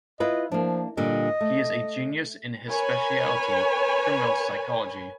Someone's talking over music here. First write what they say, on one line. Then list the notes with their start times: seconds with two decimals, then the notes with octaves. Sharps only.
He is a genius in his speciality: criminal psychology.
0.20 E4 F4 B4 D#5
0.52 F3 A#3 D4
0.97 A#2 D3 G3 D#5
1.41 A3
2.70 A#4 B4 C#5 G#5 B5